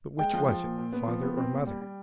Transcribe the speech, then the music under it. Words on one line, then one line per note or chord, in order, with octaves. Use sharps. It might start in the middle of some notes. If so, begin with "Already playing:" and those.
But which was it, father or mother?
G#3 G5
F3
F3
A#2
A#2
B3
F3
B3
C4
A#2
G3
G3